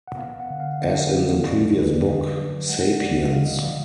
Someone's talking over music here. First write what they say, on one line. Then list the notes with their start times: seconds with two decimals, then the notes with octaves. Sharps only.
As in the previous book, “Sapiens.
0.08 F#5
0.18 B3 F5
0.40 F#5
0.50 D3
0.60 F5
0.81 D3 D#5
1.13 F3
1.43 B3 D5
1.76 D3 B4
1.93 D5
2.07 D3 D#5
2.39 F#3
2.69 G#3 F#5
3.01 D3 D5
3.32 D3 F5
3.45 D#5
3.56 D5
3.64 F3 D#5